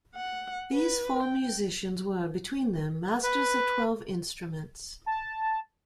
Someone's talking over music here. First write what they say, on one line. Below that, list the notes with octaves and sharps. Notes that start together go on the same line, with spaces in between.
These four musicians were, between them, masters of twelve instruments.
F#5
B4
G5
B4
A5